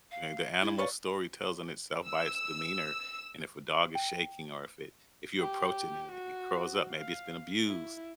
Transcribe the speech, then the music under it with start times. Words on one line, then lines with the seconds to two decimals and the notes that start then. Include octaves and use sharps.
eh, the animal's story tells on itself by its demeanor, and if a dog is shaking, or if it if you approach it and it it curls up, maybe it's been abused,
0.11 F5
0.62 E4
0.78 B4 C#5 D5 F5
2.06 E6
3.95 G5
5.40 G4
6.12 F#4
6.91 F5
7.66 E4